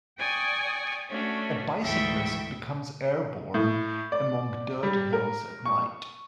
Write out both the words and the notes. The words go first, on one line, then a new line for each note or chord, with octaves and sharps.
A bicyclist becomes airborne among dirt hills at night.
D5 G5 G#5 C#6 D#6
A3 C#4 D4 F#4
D2 G#2 E3 E5 G5 C#6
A2
D5
G3
A#4
C#6